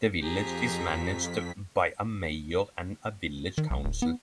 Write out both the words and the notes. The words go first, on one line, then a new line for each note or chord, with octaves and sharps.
The village is managed by a mayor and a village council.
F2 G4 G#4 A#5 B6
D#3
B1
D1
B3